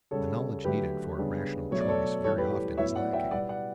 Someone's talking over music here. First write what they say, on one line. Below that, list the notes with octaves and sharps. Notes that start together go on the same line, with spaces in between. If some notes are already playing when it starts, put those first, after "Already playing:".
The knowledge needed for a rational choice very often is lacking.
C#3 G3 C#4 A4 C#5
D3 F#3 A3 G4 B4
C#3 G3 B3 D4
B2 F#3 A3 C#5
D5
A4 C#5
A2 E3 G3 A4 C#5
G4 B4
G4
A2 F#3 B3 E4 C#5 E5
D5 F#5
E5 G5
B2 G3 B3 E4 D5 F#5
D5 F#5